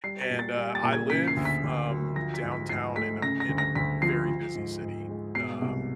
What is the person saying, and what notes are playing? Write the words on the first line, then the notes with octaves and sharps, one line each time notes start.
and, uh, I live, um, downtown in a in a, very busy city, um,
G3 C7
B6
A#2
A6
G3
A6
A#2
G#6
C#3 B6
C7
D2
B6
D2
F#3
F3 A#6
B6
G#2
B6
G#2 C7
A3 B6
C#3 A#6
A#6
D2
A#6
D2 B6
F3 C7
F3
G#2
G#2
G#3
B2 C7
C2